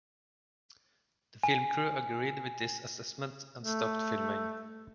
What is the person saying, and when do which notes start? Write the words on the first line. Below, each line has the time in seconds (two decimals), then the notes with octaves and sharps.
The film crew agreed with this assessment and stopped filming.
1.43 G#5
3.58 A3